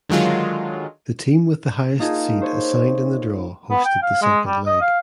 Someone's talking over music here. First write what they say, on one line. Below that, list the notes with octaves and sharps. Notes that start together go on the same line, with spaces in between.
The team with the highest seed assigned in the draw hosted the second leg.
D3 D#3 F#3 G#3 F4
A#3 D#4 F4 G#4 A4
C5 C#5
B3
G5
F5
G#3
G3
D#5
F5